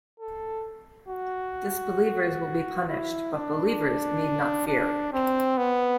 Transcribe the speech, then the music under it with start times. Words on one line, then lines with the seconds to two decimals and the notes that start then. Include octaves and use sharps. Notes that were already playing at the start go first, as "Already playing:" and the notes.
Disbelievers will be punished, but believers need not fear.
0.20 A4
1.08 F#4
2.88 E4
3.33 D4
4.68 D4
5.13 C4
5.57 B3